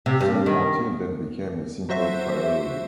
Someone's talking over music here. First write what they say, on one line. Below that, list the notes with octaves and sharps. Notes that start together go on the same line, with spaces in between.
Saint-Martin then became a simple priory.
C3
G2
D#3
F#3 F#4 C5 E5